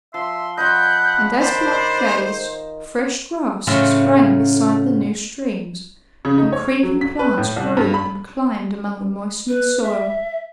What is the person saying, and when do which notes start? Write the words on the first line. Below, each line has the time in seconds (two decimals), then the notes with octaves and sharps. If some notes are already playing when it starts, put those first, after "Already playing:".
And as Gluck gazed, fresh grass sprang beside the new streams, and creeping plants grew and climbed among the moistening soil.
0.14 F3 E5 C6
0.58 F3 C5 D#5 F#5 B5 G6
1.40 D#3 D4 C5
3.67 A2 C#3 F#3 F4 A#4 E5
6.25 C#3
6.38 D#4
6.52 C#5
6.83 F#3
7.01 B6
7.19 B4
7.38 A2
7.56 C2
7.77 G2
7.94 B5
9.49 B4
9.83 E5